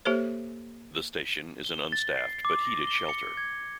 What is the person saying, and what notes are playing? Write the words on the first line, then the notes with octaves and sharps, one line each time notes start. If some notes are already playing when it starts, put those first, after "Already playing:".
The station is an unstaffed but heated shelter.
A#3 G4 A4 C5 C#5
G7
A6
C7
D6
A#6
G7
C#7
G#6